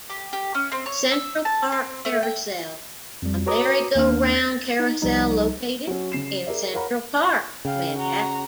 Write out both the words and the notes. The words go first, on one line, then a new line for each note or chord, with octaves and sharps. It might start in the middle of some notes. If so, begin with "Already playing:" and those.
Central Park Carousel: A merry-go-round carousel located in Central Park, Manhattan.
G4
G4
C#4
C4
C#5
E6
A5
C4
A3
G5
F2 G3
F#4 B4 C#5 A#5 D6 D#6
D#2 A#3 D4 F6
A6 A#6
D#4
C2 F3 G3 D#4
F#3 C#4
C#3 C7 E7
G#4 A#4 D5 E5
A#4 C#5 F5 F#5 A#5 B5
C#3 F5 G5
F#4 A#5